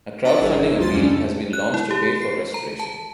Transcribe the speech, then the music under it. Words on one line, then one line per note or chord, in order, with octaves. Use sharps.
A crowdfunding appeal has been launched to pay for restoration.
D4 F#5 A#5 A6
G1 E4 G#4 A#4
D#3 E3 G#3
D2 F#3 F4 C6 A6
F2 F3 G3 C#4 D4
A4
F#6
E4
G4
C7
A#5
A5